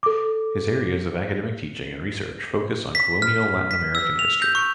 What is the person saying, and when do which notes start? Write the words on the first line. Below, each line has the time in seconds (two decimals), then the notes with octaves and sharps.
His areas of academic teaching and research focus on colonial Latin American history.
0.03 A4 D6
2.95 B6
3.22 F6
3.71 B6
3.95 E6
4.19 F7
4.42 G6
4.55 C#6